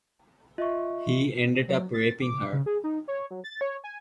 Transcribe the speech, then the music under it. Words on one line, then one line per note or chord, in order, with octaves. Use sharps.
He ended up raping her.
F4 D#5 E5 C#6
F#3
A6
D6
C#3
G#4
D#4
C#5
F#3
A6
C#5
G#5